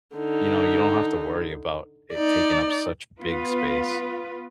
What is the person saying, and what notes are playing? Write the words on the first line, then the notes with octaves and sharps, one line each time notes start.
you know, you don't have to worry about it taking up such big space.
D3 D#4
D#4 D5
B3 F4 B4